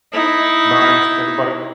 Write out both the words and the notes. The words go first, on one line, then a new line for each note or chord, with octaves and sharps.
nice. Everybody
D#4 E4